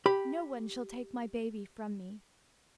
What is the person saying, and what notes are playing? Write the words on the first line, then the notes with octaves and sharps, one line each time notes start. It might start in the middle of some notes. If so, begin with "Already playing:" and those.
No one shall take my baby from me.'
G4 B5